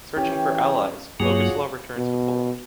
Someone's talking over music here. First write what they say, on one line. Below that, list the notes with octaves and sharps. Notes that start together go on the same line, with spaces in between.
Searching for allies,Boguslaw returns to Poland.
E3 C#4 E4 G4 G5
G2 F#3 A#3 F4 F#4 G#4 C#5
B2